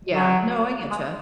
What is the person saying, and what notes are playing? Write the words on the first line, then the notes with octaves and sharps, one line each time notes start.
Yeah, no, I get ya.
F#3
G#3